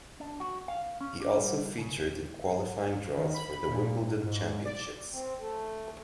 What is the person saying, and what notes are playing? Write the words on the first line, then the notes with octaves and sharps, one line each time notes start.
He also featured in qualifying draws for the Wimbledon Championships.
D4
F#4
F5
C#4
D4
G3
C#3
D#3
B5
A#2
G#2
D5
C4
A3